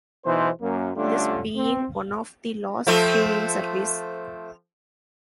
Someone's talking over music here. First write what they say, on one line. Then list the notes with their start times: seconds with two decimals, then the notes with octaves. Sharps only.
This being one of the last few in service.
0.25 B1 B2 E3 D#4 C5
0.61 F#2 A#3
0.96 D3 G3 A3 C#4 D4 F4
1.56 C4
2.87 F3 A3 C4